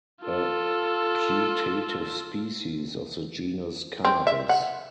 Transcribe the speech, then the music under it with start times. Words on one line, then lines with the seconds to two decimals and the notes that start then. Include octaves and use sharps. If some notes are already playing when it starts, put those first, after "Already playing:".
A putative species of the genus "Cannabis".
0.23 F4 A4
4.05 C4
4.27 E5
4.49 F#5